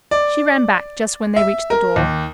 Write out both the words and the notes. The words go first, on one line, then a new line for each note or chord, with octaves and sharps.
She ran back just when they reached the door.
D5
E5
A#4
D#2